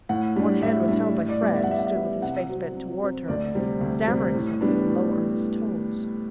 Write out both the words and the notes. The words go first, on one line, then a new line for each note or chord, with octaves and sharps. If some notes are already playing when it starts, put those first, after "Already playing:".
One hand was held by Fred, who stood with his face bent toward her, stammering something in low earnest tones.
A2 F#5
G3 D4
A2 E5
G3 D4
A2
D5
G3 B3 D5
E5
F#5
A2 E5
F#5
E5
G3 B3
C3 F#5
F#3 C4
C3
F#3 C4
D2 D5
C3 G3 C4
D2
C3 G3 C4
A2
G3 B3 D4
A2